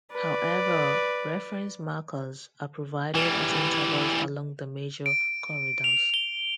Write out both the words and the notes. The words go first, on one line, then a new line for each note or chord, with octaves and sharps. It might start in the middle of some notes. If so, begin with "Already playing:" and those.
However, reference markers are provided at intervals along the major corridors.
B4 D5
E3 G3
D7
F7
G7